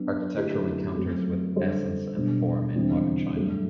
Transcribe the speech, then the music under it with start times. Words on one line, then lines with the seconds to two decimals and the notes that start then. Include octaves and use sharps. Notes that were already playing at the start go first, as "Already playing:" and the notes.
"Architectural Encounters With Essence and Form in Modern China".
Already playing: F#3 B3 D4
0.34 D3 F#3 A3 E4 G4
0.94 F#2 F#3 A3 C4 F#4
1.55 D3 G3 D4 A4 C5
2.16 B2 G3 D4
2.75 E2 D3 G3 C4 E4
3.36 G2 F#3 A3